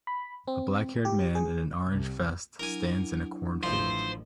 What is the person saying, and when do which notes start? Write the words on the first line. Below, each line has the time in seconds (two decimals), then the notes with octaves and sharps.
A blackhaired man in an orange vest stands in a cornfield.
0.07 B5
0.48 C4
1.05 G4
1.35 G#4
1.87 C2
2.59 F#3 D4 E4 A#4 G#5
3.63 A1 F3 C5